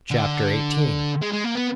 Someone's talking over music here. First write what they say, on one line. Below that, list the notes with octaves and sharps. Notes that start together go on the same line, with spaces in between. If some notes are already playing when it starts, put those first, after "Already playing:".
Chapter XVIII.
D3
G#3
G#3
A#3
B3